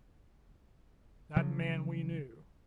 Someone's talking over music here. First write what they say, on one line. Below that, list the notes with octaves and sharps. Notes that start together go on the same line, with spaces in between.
That man we knew.
C#3 F3 F#3